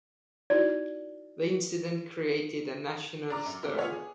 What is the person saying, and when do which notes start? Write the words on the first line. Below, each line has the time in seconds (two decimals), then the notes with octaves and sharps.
The incident created a national stir.
0.50 D#4 E4 F#4 D5
3.30 D4 A#5 D6
3.46 F#2
3.63 C3 D#3 A3
3.78 B3 F4 A4 C#5 F#5
3.90 G#4